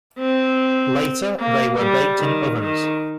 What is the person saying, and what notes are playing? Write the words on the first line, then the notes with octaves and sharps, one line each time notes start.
Later they were baked in ovens.
C4
A#3
G3
D#3
D#3